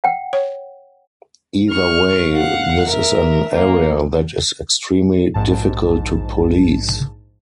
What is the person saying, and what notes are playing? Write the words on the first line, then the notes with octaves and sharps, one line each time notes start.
Either way, this is an area that is extremely difficult to police.
F#5 G5
C#5
C#6 F6
F5 F#5
A#4 E5
A#3
A#1 G#2 A5